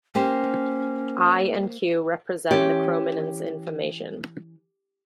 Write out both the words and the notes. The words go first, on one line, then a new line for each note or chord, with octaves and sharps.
I and Q represent the chrominance information.
A#3 C#4 G4 C5
E3 C#4 G4